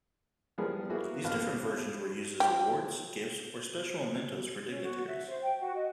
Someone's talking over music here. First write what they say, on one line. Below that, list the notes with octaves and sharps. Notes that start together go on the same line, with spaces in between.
These different versions were used as awards, gifts, or special mementos for dignitaries.
E3 F3 G3 B3 G#4 A#4
A#3 B3 E4 F#4 G#4
A#1 B3 A#4 F5
G4
C#4
F#4
E5
C5
G5
F#4
D#5